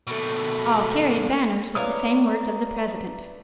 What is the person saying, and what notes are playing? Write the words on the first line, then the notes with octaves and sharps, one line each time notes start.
All carried banners with the same words of the President.
B2 A3
E4 B4 C#5 D5 F5 A#5 D#6